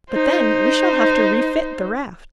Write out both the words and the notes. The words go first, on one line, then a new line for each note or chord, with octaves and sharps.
"But then we shall have to refit the raft."
D#4 C5